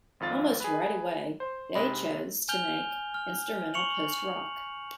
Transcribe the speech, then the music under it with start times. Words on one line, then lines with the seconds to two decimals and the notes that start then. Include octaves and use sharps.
Almost right away they chose to make instrumental post-rock.
0.20 G#1 F2 F4 A6
0.60 G#4 B4
1.40 C5
1.75 G#2 C3 D#5 B5
2.49 G#5 F6 G6 F7 G7
3.14 F6
3.74 C#6 C#7 F7 F#7